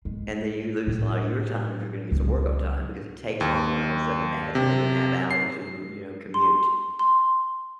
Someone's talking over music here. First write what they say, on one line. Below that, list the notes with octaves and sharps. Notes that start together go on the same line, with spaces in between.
and then you lose a lot of your time if you're gonna get to work on time because it takes longer. All of a sudden, it adds another half hour to your, you know, commute,
G#3
A2
C#2
D#2
C3
C7
C6
C6